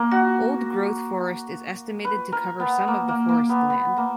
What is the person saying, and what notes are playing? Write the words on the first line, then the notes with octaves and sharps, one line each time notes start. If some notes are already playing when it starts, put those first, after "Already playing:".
Old growth forest is estimated to cover some of the forest land.
Already playing: A#3
F#4
B4
A#4
B3
A#3
A#3
A#3
B3
B3
A#3